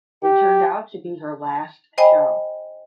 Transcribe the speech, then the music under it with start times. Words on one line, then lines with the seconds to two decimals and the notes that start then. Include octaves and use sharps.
It turned out to be her last show.
0.23 G4
1.98 C5 D#5 G5 G#5 B5